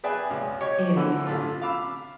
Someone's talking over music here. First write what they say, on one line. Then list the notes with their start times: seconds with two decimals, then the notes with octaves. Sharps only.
It is.
0.04 G#4 B4 D5 E5 G5 G#5
0.30 C#2
0.61 G4 C#5 D#5
0.96 D3 E3
1.26 A1 A3 F4
1.62 F5 B5 D6 E6